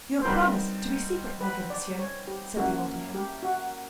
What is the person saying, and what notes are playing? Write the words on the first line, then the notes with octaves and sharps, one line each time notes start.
"You have promised to be secret, my good monsieur?" said the old man.
C5
G3 C4 D#4 F#4 A#4 B4
B4
D5
C#5
G4
A#3 C#4 E4 F#4
G4
F#4